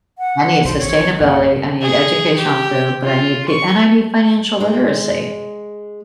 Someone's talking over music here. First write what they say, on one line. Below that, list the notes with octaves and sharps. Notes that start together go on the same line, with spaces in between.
I need sustainability, I need education on food, but I need p and I need financial literacy.
F#5
B1 B2 C5
G#1 D#3 C4 C#5
A#1 F#2 A#2 F#5
G#4
G4
F4
C#6
G#3